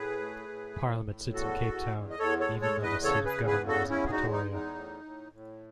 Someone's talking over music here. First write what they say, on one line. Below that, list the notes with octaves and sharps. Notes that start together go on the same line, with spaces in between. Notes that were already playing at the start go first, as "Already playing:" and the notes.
Parliament sits in Cape Town, even though the seat of government is in Pretoria.
Already playing: A2 G#4 B4
A3
A2
A2
A2
E2 F#4 A4
E2
E2
D#5
E2 A4 C#5
A4 C#5
G#3
A4 C#5
E2
B4 D#5
C#3 A4 C#5
G#4 B4
E2
G#4 B4
C#3
F#4 A4
E2 C#4 E4
G#4
D#4 F#4
G#3
D#4
E2
D#4
A2
A2
A2